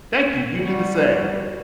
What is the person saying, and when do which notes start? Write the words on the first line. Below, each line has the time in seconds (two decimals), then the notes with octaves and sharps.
Thank you, you do the same.
0.59 G3 F#4